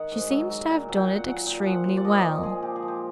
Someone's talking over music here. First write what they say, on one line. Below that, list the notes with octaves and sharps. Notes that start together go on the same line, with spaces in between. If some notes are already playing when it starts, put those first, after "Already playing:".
She seems to have done it extremely well.
Already playing: D#3 F#5
G#2
F#3
F#3
A#2
F#3
G5
A#2 F#5
F#3 F#5
A#2 G5
F3 F#5
A#2
D5
F3 D#5
A#2
F3 G#4
A#2 G4
G#4
F3
G4